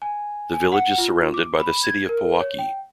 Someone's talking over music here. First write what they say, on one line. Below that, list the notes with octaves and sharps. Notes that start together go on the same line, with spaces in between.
The village is surrounded by the City of Pewaukee.
G#5
G#5
F#5
F4
D6
B5
G#6
A#4
C#5
G5